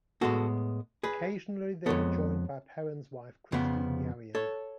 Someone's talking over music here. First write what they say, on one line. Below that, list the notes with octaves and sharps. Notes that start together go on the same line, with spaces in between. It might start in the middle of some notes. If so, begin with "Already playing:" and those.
Occasionally, they were joined by Perren's wife Christine Yarian.
A2 G#3 B3 F#4 A4
G#4 B4
F2 C#3 G#3 B3 A4 C#5
F2 C#3 F3 B3
A4 C#5